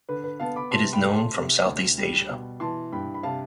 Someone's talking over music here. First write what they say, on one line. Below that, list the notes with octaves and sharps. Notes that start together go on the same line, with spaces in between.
It is known from southeast Asia.
D3 B4
B4
B3 F5 A5
B5 D6
C3 A5 C6
G5 B5
A3
A5 C6
C3
D2
G3
B2
E3 A5 C6
G2 G5 B5
B5
C3 F5 A5